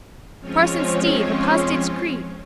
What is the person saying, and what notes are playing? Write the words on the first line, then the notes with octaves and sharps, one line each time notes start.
Parson Steve, apostates' creed!
F3 G#3 C4 C#4 F4 C#5